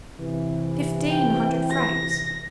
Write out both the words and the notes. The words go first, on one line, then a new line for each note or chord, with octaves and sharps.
Fifteen hundred francs!
C3 E3
G5
A#6